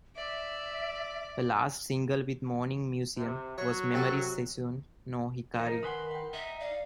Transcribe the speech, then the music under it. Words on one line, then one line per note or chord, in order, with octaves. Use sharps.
Her last single with Morning Musume was Memory Seishun no Hikari.
D5 E5
C3
F#3 C#5
C3 F#4 A4
F3 D#4 A#4
D#3 B4 F#5 G#5 C6 D#6
F#5 G5
D#4 E5
D5 F5